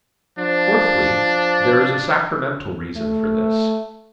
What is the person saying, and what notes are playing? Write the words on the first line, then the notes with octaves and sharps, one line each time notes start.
Fourthly, there is a sacramental reason for this.
F3 D4
A3